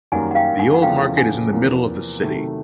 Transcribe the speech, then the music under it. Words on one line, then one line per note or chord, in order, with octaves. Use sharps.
The old market is in the middle of the city.
F#2 D#3 G3 A#3 F#5 G#5
F#5
F5 G5
F#5 G#5
F#5
E2 C#3 F3 A3 F5 G5
F#5 G#5
E2 C3 F3 A#3
C3 D#3 F#3 A3